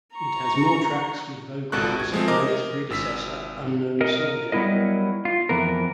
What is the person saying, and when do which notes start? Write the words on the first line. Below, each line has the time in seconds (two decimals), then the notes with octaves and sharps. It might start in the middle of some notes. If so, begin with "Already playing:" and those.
'It has more tracks with vocals than its predecessor, "Unknown Soldier".
0.15 A#5 C#6
1.72 G#1 C#2 B2 A4 C#6 F#6
1.99 G#6
2.12 F3 G#3 A3 C4
2.28 A#4 D#5 D6
2.90 G#1 E6 B6
4.01 A#4 D#5
4.52 F#3 G3 B3 E4 A#4 D#5
5.25 F4
5.49 F2 E3 B3 A#4